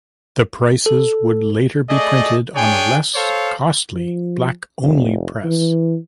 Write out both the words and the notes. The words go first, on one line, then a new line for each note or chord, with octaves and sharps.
The prices would later be printed on a less costly black-only press.
A4
A3 G#4 D5 D#5
D4 G#4 C#5 G5 G#5
A4 C5 C#5 F5
F3
F1
E3